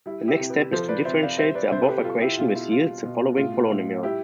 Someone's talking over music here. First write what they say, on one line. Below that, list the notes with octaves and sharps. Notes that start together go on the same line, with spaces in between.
The next step is to differentiate the above equation which yields the following polynomial.
G3 E4
E4 G4
C3
G4 B4
F3 A4 C5
B4 D5
C3 C5 E5
D5 F5
G3 C5 E5
B4 D5
C3 C5 E5
A4
G4 B4
G3 F4 A4
E4 G4
B2 F4
E4
G3 F4
B2
A2 F4
A2
G3 E4 G4